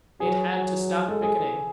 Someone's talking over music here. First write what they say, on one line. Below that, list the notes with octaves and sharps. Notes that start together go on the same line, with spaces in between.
It had to stop picketing.
F#3 G#4
F#3
G#3 A4
G#4
E3